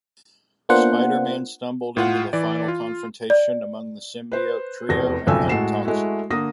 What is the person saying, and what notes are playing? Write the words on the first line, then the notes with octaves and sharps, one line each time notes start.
Spider-Man stumbled into the final confrontation among the symbiote trio, and helped Toxin.
A#3 B3 D4 F4 C5 F#5
A2 F4 F#5
E3 D5
F4
D5
B4 C5
F1 E2 A#6
F#1 B1 F2 A4 G#5 E6
A2 G#3 F#4 A4 C7 E7
G#3 A3 E4 F#4
D3 A#3 D#6 A#6